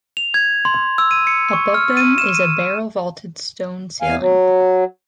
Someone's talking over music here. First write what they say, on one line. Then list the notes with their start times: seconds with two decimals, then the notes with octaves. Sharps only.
Above them is a barrel-vaulted stone ceiling.
0.17 F7
0.34 G#6
0.65 C6
0.98 E6
1.11 D#7
1.27 C#7
1.53 C#6
1.74 F6
1.97 D#7
2.18 E7
2.35 D#7
4.02 E2 F5 G#5
4.20 F#3